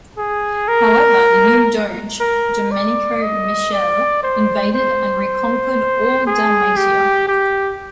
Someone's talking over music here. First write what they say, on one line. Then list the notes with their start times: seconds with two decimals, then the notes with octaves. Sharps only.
However, the new Doge, Domenico Michele, invaded and reconquered all Dalmatia.
0.17 G#4
0.68 A#4
2.20 A#4
2.71 D5
3.22 D#5
3.72 D5
4.23 C5
4.74 C5
6.27 G#4
6.77 G4
7.28 G4